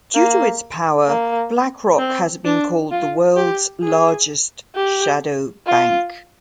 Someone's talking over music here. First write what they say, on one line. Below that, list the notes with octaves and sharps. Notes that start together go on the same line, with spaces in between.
Due to its power, BlackRock has been called the world's largest shadow bank.
A#3
A#3
C4
D4
F4
G4
G#4
G4
F4